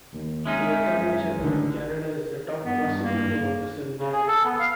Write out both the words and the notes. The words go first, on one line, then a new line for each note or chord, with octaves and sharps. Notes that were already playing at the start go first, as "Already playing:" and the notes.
The Attorney General of Canada is the top prosecuting officer in Canada.
D#2
G#1 G#3 C#4 D#4 E5
F#2
A1 D3 D#3
G2 B3
A#3
C#3
G#4
A4
B3
F5